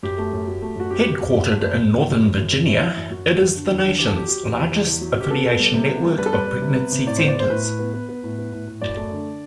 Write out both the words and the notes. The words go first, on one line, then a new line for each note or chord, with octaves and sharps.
Headquartered in Northern Virginia, it is the nation's largest affiliation network of pregnancy centers.
F#2 G4
A3
F#2
F#3
A3
F#2 F#4
F#3 G4
F#3
F#2
F#2
A3
F#2
F#2
F#2
F#2
F#2
F#2
F#2
E3 E4
E3
F#2
F#2 F#4
E3
F#2
D3
E2
D3
E2 G4
A4
F#3 G4
F#3
E2
E2
E2
E2
F#3
F#3
G4
B3 A4
B3
G3
C3
B3
G3
G3 B4
A4
G3 B4
G3
C3
B3
C3
A2 D5
B3 C5
D5
B3 C5
A2 B4
A2
B3
B3
B3
A2
B3
A2
A2
F#2 D5
A3
D3